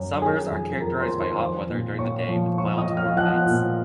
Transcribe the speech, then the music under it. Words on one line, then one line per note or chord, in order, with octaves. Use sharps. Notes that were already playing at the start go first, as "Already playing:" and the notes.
Summers are characterized by hot weather during the day with mild to warm nights.
Already playing: F#2
D#3 G#4 G#5
F2
F2 A#4 A#5
C5 C6
D#3
C5 C6
F3
A#2
A#2 C#5 C#6
F3
F3 C#5 C#6
D#5 D#6
F3
F5 F6
F3 F#5 F#6
A#2